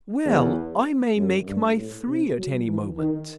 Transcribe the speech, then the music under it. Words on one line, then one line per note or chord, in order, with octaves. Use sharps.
"Well, I may make my three at any moment."
E2
F#2
G2
A2
C3
F#3
E3
D#3